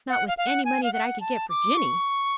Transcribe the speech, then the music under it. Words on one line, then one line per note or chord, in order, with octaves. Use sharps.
"Not with any money that I could get for Jinny."
F#5
F5
F5
F#5
G#5
F5
F#5
A5
D6
C#6